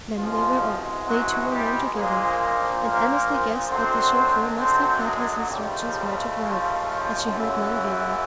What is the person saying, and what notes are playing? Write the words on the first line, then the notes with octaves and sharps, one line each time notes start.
Then they were off, they two alone together; and Annesley guessed that the chauffeur must have had his instructions where to drive, as she heard none given.
C2 B2 F3 G#3 F4
F#3 F#4
G3 G4
A#1 A#2 F3 G#3 A#3 G#4
A#3 A#4
F#2 D3 F#3 C4 C5
C4 C5
G#3 G#4
D#2 C#3 F3 G3 A3 G4
F3 F4
F#2 C#3 E3